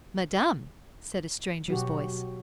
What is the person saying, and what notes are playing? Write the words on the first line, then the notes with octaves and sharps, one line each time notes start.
"Madame!..." said a stranger's voice.
B2 F#3 F#4 G4